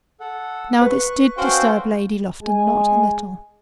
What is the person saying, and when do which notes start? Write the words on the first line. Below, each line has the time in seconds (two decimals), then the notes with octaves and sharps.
Now this did disturb Lady Lufton not a little.
0.20 A4 F#5
0.81 B4 C#6 F#6
1.38 C#4 F#4 A4 C5 F5 G5
2.42 G#3 G#5